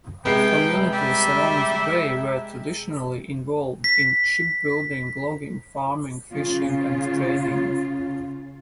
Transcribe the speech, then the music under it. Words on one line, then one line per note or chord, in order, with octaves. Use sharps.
Communities around the bay were traditionally involved in shipbuilding, logging, farming, fishing and trading.
C3 G#3 B3 G5 C7
G3 E5
B6
C#3 F4